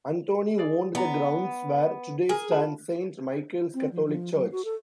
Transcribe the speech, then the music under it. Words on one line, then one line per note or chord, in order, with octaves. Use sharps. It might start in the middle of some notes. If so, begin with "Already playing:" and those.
Anthony owned the grounds where today stand Saint Michael's Catholic Church.
G#4 D5
B3 D5 A#5
G#4 A#4 G#5
F4 A5 B5
C4
F3
F3
F#3
F#4
A4